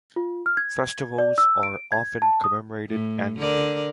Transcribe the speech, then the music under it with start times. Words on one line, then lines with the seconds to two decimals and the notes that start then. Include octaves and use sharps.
Festivals are often commemorated annually.
0.16 F4
0.46 F6
0.57 G#6
1.18 D5
1.38 E6
1.63 D7
1.92 G#6
2.22 A5
2.44 D#6
2.89 A2
3.39 D3 A#4 D5